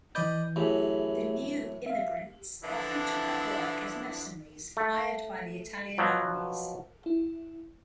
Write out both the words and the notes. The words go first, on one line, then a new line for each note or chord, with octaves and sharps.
The new immigrants often took up work as mercenaries hired by the Italian armies.
E3 B4 D5 D#5 G6
F#2 A2 E3 G4 G#4 E5
E5 F5
D3 E3 F3 D4 E4
A3
B2 F3 F#3
E4